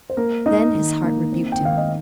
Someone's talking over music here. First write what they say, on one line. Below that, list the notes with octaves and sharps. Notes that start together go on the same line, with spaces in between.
Then his heart rebuked him.
C5
A#3 A#4
A#3 D#4 D#5
D#3
A#3
C4
G5
D#3 F5
D#5